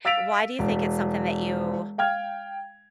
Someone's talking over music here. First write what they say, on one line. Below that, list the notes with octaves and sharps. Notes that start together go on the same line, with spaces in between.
Why do you think it's something that you
F5 E6 A6 B6 D7 F7
E1
F5 G5 F6 G#6